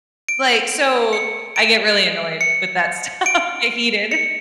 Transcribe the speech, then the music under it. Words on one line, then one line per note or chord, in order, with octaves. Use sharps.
like, so I get really annoyed with that stuff, get heated.
D7
C#7
D7
C#7
D7
C#7